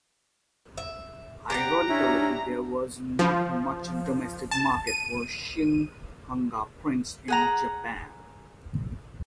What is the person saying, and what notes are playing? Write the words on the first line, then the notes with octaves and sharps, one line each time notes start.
Ironically, there was not much domestic market for "shin-hanga" prints in Japan.
E5
G4 D5 F#5 A#5
C#4 D4 E4
F3
A5
D#7
G#4 F#5 A#5